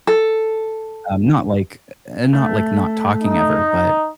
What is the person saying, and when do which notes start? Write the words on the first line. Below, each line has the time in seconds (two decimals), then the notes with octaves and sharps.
Um, not like e eh, not like not talking ever, but
0.07 A4
2.33 A3
3.22 D#4